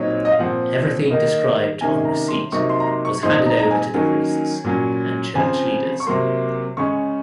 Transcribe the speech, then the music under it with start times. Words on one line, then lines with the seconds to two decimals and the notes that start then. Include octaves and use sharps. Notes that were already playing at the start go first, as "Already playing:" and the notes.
Everything described on receipt was handed over to the priests and church leaders.
Already playing: A#2 F#3 C4 D#4 C#5
0.25 D#5
0.32 F5
0.39 A#2 F3 C4 F#5
1.10 D#3 A#3 D#4
1.81 C3 D#3 A#3 C#4 G#5
2.05 A#5
2.28 C6
2.52 C3 F#3 A#3 D#4 C#6
2.69 C6
2.80 A#5
2.87 C6
3.05 C#6
3.23 A#2 F3 C4 D#4 C6
3.46 A#5
3.59 A#5
3.71 G#5
3.94 D#3 F#3 A#3 C#4
4.64 A#2 F#3 C#4
5.35 C#3 F3 C4 G#5
6.00 C#6
6.07 C3 F#3 A#3 C6
6.77 C#3 G#3 C#4 C#6